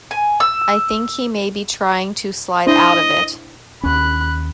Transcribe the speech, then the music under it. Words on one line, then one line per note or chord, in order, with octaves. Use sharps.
I think he may be trying to slide out of it.
G#5
E6
D4 E4 C5 D#5
D#2 C#4 B5 F#6